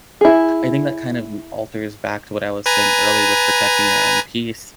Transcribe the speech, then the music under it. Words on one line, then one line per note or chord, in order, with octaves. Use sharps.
I think that kind of m alters back to what I was saying earlier, with protecting your own peace,
E4 G#4
B4 G#5 A#5